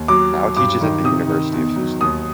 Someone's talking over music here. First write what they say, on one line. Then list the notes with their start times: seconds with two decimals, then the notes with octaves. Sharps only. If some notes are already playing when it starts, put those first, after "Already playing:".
Bao teaches at the University of Houston.
Already playing: D#2
0.08 F#3 D6
0.33 F#3
0.57 G2 D6
0.81 D#3
1.04 C3 D#6
1.28 D#3
1.53 E2
1.76 F#3
2.00 D#2 D#6